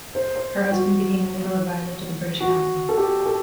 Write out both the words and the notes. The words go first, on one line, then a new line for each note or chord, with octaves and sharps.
Her husband became legal adviser to the British Council.
C5
C5
F#4
F#4
A4
G4
A4